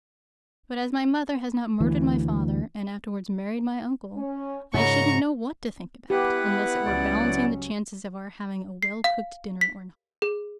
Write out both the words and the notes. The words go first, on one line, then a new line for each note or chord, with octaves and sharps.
But as my mother has not murdered my father, and afterwards married my uncle, I shouldn't know what to think about, unless it were balancing the chances of our having a well-cooked dinner or not.
D2 E3
C#4
G#2 C#3 F4 A#4 C#5 A#5 C#6
B3 E4 G4 B4 F#5
C#2 F#3 C#4 D5
C7
F5
B6
G#4